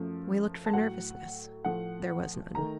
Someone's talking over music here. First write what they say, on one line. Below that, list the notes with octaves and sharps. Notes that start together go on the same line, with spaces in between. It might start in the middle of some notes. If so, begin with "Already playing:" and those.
We looked for nervousness--there was none.
Already playing: F#2 F3 A3
A5
A2 F#3 A3 F#5
A2 F3 A3 F#5
D#3 A3 A#5